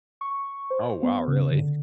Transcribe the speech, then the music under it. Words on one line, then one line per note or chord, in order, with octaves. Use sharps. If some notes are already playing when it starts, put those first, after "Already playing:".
Oh, wow, really?
C#6
C5
B3
C#3
D3